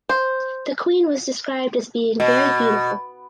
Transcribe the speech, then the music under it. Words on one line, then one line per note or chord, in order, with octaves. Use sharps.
The Queen was described as being "Very beautiful".
C5
B2